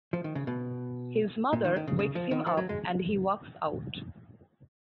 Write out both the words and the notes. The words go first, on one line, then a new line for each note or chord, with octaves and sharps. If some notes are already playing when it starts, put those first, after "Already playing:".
His mother wakes him up and he walks out.
F3
D#3
C#3
B2
A#2
D#3
D#3
C#3
C#3
F3
D#3
F3
F#3
G#3